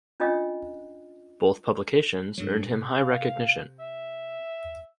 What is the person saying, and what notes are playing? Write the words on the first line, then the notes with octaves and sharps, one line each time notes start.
Both publications earned him high recognition.
C#4 D4 F4 D#5 G5 D#6
G2 F#3
C3
F5
E5